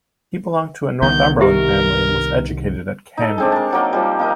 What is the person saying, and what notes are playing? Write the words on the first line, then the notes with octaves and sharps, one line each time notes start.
He belonged to a Northumberland family and was educated at Cambridge.
C2 D#3 B3 G6
G4 A#4 E5
D#4 A4
G#3 C4 D4
A#4 A5
F#3 A#3 D#4
F3 G3
A#3 D#4 A#4